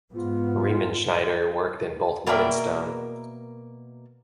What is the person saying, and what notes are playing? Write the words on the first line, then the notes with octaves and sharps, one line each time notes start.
Riemenschneider worked in both wood and stone.
G#2 B3 F4
B2 A#3 A#4 D5 E5 G5